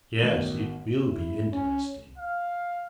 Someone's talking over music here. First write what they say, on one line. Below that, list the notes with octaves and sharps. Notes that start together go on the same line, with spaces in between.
"Yes, it will be interesting."
A1 B2 D#3
E4
C#4
F5